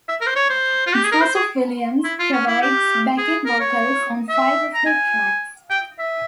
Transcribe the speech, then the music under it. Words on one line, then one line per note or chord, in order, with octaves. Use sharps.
Joseph Williams provides backing vocals on five of the tracks.
E5
A#4
C5
C#5
C5
F4
G4
G#4
A#4
C5
G#4
E4
F4
C#4
E4
G4
G#4
A#4
C#5
E5
A#5
G#5
G5
E5